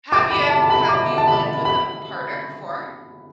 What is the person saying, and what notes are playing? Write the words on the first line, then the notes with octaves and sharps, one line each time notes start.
Have you ev have you lived with a partner before?
D6
B5
A5
A5
B5
D6
A5
B5
B5